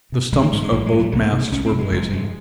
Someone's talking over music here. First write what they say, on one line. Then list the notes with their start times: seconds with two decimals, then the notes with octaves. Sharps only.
The stumps of both masts were blazing.
0.12 C3
0.32 A#1 G#3
0.42 A#3
0.53 G#2 G#3
0.63 G#3
0.72 A#1 A#3
0.86 G#3
0.93 G#2
0.99 F#3
1.12 C2 F#3
1.22 A#3
1.32 C3
1.43 G#3
1.52 C2 C#4
1.66 C4
1.72 C3
1.79 G#3
1.92 F#1 G#3
2.12 F2 C3